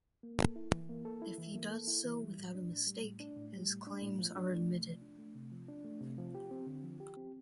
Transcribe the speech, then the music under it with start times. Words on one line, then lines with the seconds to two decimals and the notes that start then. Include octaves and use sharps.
If he does so without a mistake, his claims are admitted.
0.23 A#3
0.39 A4
0.56 E4
0.72 E3
0.89 A#3
1.05 A4
1.22 E4
1.38 E3
1.55 A#3
1.71 A4
1.87 E4
2.05 E3
2.21 G3
2.38 A2
2.55 D4
2.70 A2
2.87 G3
3.03 A2
3.20 D4
3.37 A2
3.53 G3
3.69 A2
3.87 D4
4.02 A2
4.19 F3
4.35 D4
4.53 A3
4.68 C3
4.85 F3
5.02 D4
5.18 A3
5.35 C3
5.52 F3
5.68 D4
5.84 A3
6.01 C3
6.18 F3
6.35 G4
6.51 C4
6.67 D3
6.83 F3
7.00 G4
7.17 C4